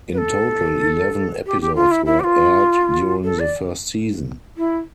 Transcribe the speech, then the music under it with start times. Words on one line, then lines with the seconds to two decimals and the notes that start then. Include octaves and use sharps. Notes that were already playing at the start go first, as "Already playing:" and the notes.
In total, eleven episodes were aired during the first season.
0.13 B4
0.17 A4
1.46 G4
1.61 G4
1.75 F4
1.91 E4
2.06 E4
2.20 G4
2.24 F4
3.24 A4
3.39 D5
4.57 E4